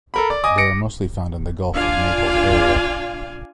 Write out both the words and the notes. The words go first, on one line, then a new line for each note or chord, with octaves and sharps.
They are mostly found in the Gulf of Naples area.
A4 A#4 B5
D5
D#5 G#5 D6 D#6
A#6 C#7 D7
D4 F4 D5 F5 G#5